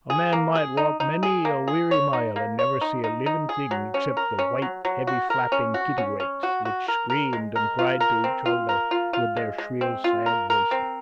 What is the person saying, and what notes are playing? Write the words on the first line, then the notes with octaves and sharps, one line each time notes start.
A man might walk many a weary mile and never see a living thing except the white, heavy-flapping kittiwakes, which screamed and cried to each other with their shrill, sad voices.
G#4
A#3
G#4
D#4
D#4
G#4
A#3
G#4
C#5
D#4
A#3
C#5
D#4
D#4
D#4
G#4
F#3
C#4
A#4
C#4
F#3
F#3
F#4
A#4
C#4
F#4
C#4
C#4
F#4
F#4
A#4
A#4
G#3
A#4
F4
A#4
C4
F4
A#4
F4
F4
G#3
G#3
C4
F4
A#4
A#4
C4